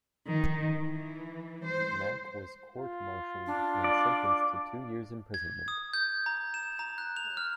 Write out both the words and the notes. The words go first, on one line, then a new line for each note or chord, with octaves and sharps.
Mack was court-martialed and sentenced to two years' imprisonment.
D#3
E3
C5
F4
D4
D5
G#6
D#6
G6
A#5
E7
A#5
F#6
F7
F6